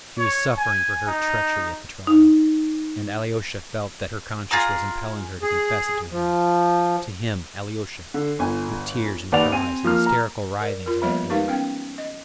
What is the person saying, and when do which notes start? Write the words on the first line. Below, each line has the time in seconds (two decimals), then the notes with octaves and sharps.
She was suffering for her "treachery" at the trial, and Alyosha felt that her conscience was impelling her to confess it to him, to him, Alyosha, with tears and cries and hysterical writhings on the floor.
0.19 C#5
0.57 G#5
1.07 D#4
2.07 D#4
4.51 F4 G#4 A#5 D6
5.42 G#4
6.11 F3
8.14 D3
8.39 G1 G#5
9.32 D#2 B4 D5 F#5 F7
9.52 C4 G#5 D#7
9.84 F3 A#3 F6
10.06 A#5
10.61 A#4 D5
10.86 F4 A#4
11.02 F3 G3 A#3 B3 C#5 D#5
11.30 G#3 D#4 G4 A#4 B4 F5
11.48 B3 C#4 G5
11.98 D#5